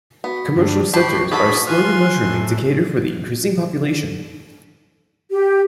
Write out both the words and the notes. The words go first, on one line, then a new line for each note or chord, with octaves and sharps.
Commercial centres are slowly mushrooming to cater for the increasing population.
B3 F#4
G2 D4
G4 A5 B5 C#6 C7
D4 F#4 G#4 A4 B4 B5 C#6
F4 G#5 C6 F#6
A2
G4